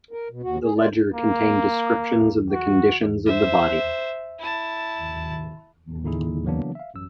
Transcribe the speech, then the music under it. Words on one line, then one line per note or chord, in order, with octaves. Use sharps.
The ledger contained descriptions of the conditions of the body.
A#4
B2
D#2 F#4
G#4
G#3 A3 F4 A#4 D5
A#3
F#4
C5 E5
E4 A5
A2 D3 D#4 E4 G#4
C#3 E3 F#3 A#3 B3 D4
E5 F5
A1 F#2 E6